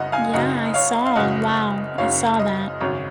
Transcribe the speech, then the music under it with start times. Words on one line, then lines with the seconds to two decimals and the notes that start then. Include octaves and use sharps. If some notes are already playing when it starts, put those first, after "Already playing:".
Yeah, I saw. Wow, I saw that.
Already playing: F#1 F#2 C#3 D#5 F#5
0.12 F5 G#5
0.33 F#1 F#2 C#3 D#5 F#5
0.74 C#5 F5
1.06 F5
1.16 F#1 F#2 C#3 D#5 F#5
1.98 F#1 F#2 C#3 C#5 F5
2.39 D#5
2.80 G#1 F#2 C#3 C#5